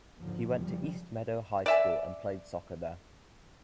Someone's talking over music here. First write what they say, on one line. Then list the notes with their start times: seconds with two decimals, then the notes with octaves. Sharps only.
He went to East Meadow High School and played soccer there.
0.18 D#2 G#2 D3 F3
0.55 F1 C#3 F3 G3
1.66 D5 E5 G#5